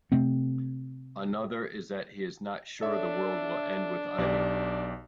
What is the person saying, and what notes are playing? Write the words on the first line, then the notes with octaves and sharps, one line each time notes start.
Another is that he is not sure the world will end with either.
C3 A3 C4
D4 A4 C#5 E5
B1 G4 D5